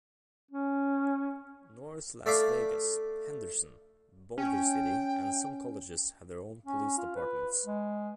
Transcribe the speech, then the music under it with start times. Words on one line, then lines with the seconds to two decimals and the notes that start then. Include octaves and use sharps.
North Las Vegas, Henderson, Boulder City and some colleges have their own police departments.
0.51 C#4
2.26 A3 D5 E5 F5 D6
4.38 C#4 G5
6.66 C#4
6.97 F4
7.16 B4
7.65 G#3